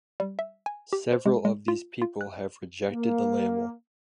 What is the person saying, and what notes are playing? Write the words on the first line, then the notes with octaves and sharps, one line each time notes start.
Several of these people have rejected the label.
G3
E5
G#5
G4
C5
G#3
G#3
F4
F4
F#6
A#3